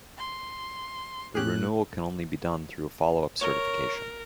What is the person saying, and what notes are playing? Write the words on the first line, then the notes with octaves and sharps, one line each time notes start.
The renewal can only be done through a follow-up certification.
C6
A2 C#4 G4 G#4 F#6
A#4 C#5